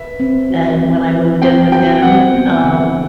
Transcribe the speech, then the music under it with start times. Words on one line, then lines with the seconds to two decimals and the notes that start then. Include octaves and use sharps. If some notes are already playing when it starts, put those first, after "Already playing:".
and when I moved in with him, um,
Already playing: B4 E5
0.20 C4
0.50 F#4
0.80 C4
1.11 B4
1.42 C4 G5
1.72 F#4 G5
2.02 C4 F#5
2.34 B3
2.64 D3